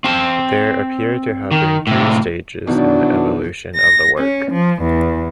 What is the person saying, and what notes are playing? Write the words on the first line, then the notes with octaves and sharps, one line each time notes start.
There appear to have been three stages in the evolution of the work.
C4 A5
D#3
A2 C3
B2 D#3 E3 F#3 D4
A#6
C#4
F3
E2